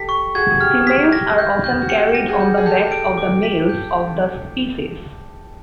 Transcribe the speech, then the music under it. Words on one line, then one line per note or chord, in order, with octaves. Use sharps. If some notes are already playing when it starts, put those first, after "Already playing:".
Females are often carried on the backs of the males of the species.
Already playing: G4 A4 B6
C#6
F#4 G#4 G#6
G#4
G4 F6
G4 B6
G4 A#6
G6
G6
F#4
G4 C#7
A#6
F#4 G#4
G6
G#4
G4 A4 G6
D7
D6
B6
G6